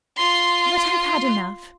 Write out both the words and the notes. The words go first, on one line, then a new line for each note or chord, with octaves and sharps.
But I've had enough.
F4 C6